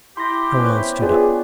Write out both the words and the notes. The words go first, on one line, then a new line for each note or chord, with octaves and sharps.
Her aunt stood up.
E4 G4 C6 A#6
C3 B3 C#4
B3 D4 F4 G#4 D5